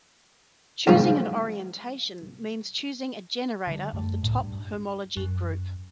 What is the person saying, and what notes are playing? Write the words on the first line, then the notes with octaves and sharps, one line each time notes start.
Choosing an orientation means choosing a generator of the top homology group.
E2 G#2 D#3 F3
D3 G3
F#2 A3
C#2 A2
G2
F#2